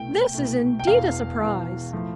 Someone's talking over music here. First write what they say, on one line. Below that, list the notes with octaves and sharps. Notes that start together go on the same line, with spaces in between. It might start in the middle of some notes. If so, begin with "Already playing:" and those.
"This is indeed a surprise!"
Already playing: C2 B2 A3 G5
C2 B2 A3
G5
E1 E2 B2 F5
E1 E2 B2
A2 F3 A3